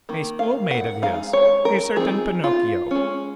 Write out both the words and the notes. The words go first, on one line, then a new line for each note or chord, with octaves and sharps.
"A schoolmate of his, a certain Pinocchio."
D#3 A#3
F5
F#5
G#3 D#4 F5
C#5
A#4
F3 C4 D#4 G#4
F4
G#3 C#4